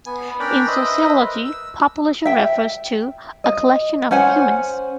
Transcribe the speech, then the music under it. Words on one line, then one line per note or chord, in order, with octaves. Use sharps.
In sociology, population refers to a collection of humans.
B3 G#5
C#4 D4 A#4 D5 G5 B5
B4 C5 D#5 E5
A#4
E6
E5 G5
D#5
C#4 C5 F#5 G#5